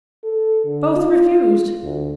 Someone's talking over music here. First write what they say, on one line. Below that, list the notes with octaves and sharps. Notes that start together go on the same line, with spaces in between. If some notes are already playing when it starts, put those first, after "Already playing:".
Both refused.
A4
D3
F4
D2